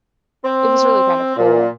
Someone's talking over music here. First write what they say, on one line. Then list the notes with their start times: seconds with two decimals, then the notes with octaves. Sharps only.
it was really kind of cool.
0.44 C4
1.36 A#2